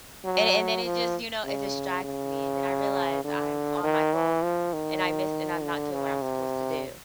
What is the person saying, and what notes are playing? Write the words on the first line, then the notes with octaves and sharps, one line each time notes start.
And and then it just, you know, it distracts me, and then I realized I'm on my phone, and I miss and I'm not doing what I'm supposed to do,
F#3
F3
C#3
C#3
D3
D#3
E3
F3
D#3
D3
C#3
C3